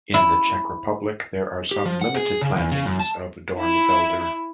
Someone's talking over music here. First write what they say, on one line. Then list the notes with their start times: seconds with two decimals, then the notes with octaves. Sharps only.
In the Czech Republic, there are some limited plantings of Dornfelder.
0.14 E4
1.71 G4
1.86 F3
2.01 F#5
2.15 G#4
2.41 C#3
2.55 E2
2.72 C#3
2.86 F#2
2.99 A5
3.59 E4